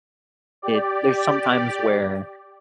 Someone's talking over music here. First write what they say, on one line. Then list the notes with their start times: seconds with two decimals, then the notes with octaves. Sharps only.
it there's sometimes where,
0.62 G4 D5